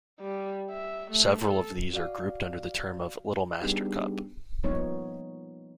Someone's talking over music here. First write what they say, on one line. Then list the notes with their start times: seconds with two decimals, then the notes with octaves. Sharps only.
Several of these are grouped under the term of Little-Master cup.
0.20 G3
0.71 E5
1.11 A3
1.42 A4
1.93 F#4 D5 F5
3.61 G3 B3 D4 D#4 G4 G#4
4.64 F3 G3 A#3 B3 D#4 C#5